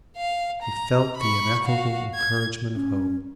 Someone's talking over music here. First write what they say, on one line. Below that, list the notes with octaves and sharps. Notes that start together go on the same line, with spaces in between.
He felt the ineffable encouragement of hope.
F5
A#5
B5 C#6
F#4 F5
G#6
C#4